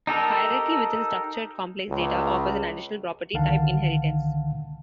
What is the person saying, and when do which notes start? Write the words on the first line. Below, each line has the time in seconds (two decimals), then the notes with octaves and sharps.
Hierarchy within structured complex data offers an additional property, type inheritance.
0.07 D#4 G4 A4 A#4
1.90 C#2
3.33 C2 D3 D#3 F5 F#5 A5